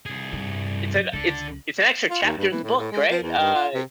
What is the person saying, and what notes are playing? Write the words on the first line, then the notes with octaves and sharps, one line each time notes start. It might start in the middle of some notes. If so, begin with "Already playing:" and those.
It's an it's it's an extra chapter in the book, right? Uh,
C2 G#4
G2
C#2 D3 A4
F4
D#2
G2
E3
A2
A2
G#3
F3
E2
G2
F4
C3